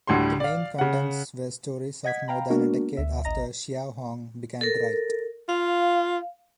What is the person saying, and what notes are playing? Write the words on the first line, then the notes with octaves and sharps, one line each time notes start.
The main contents were stories of more than a decade after Xiao Hong began to write.
D2 A2 D3 G3 C6
D5 F5
C#3 F#5
D#5 F#5 G#6 B6
F5 G5 A#5 B5
G#3 A#3 B3 D4 F#4 A#4
D2 E5
A1 D#5 A#5 A#6
A4 A#4
F4 F5